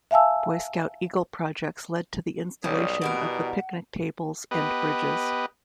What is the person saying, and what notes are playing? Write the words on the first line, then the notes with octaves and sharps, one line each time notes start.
Boy Scout Eagle projects led to the installation of the picnic tables and bridges.
E5 F5 G#5 A5 E6
B1 G3 C#4 C#5 D#6
B2 E3 G3 A#4 F#5
B3 G4 B4 D#5